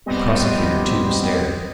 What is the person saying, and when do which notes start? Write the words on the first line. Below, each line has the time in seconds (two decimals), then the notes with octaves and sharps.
The prosecutor, too, stared.
0.06 G3 B3 C4 D#5